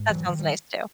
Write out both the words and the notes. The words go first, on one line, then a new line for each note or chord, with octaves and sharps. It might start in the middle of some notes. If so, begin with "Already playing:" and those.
That sounds nice too.
Already playing: G#2
E3 F#3
D#3 F3
G3